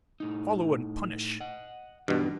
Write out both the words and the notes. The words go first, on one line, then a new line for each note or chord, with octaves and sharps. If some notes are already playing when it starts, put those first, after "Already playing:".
"Follow and punish."
A2 D#4
D#5 F#5
G2 B2 E3 D4 D#4